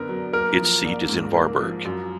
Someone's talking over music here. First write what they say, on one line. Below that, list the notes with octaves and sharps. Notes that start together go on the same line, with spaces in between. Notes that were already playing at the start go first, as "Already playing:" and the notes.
Its seat is in Varberg.
Already playing: F#2 D3 B3 A#4
F#3
A#3 A#4
F3
A#1
G#2
A#3
F3
F#2